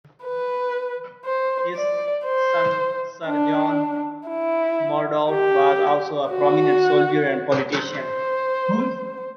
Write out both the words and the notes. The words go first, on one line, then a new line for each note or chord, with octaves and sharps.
His son Sir John Mordaunt was also a prominent soldier and politician.
B4
C5
D5
C5
D4
E4
G4
F#4
C5